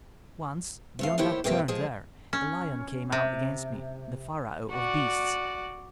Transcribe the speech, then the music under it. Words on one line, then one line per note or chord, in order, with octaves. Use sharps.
Once, beyond that turn there, a lion came out against me, the pharaoh of beasts.
C3 A3 F5
D#2 A2 E4 G4 C5 C#5
G2 C3 A#3 C4 G4
F3 G#3 G#4 A5
C#4
C3
F#4 D5